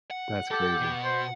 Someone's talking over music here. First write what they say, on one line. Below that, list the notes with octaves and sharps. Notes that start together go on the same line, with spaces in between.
That's crazy.
F#5
G4 A4
B2
C5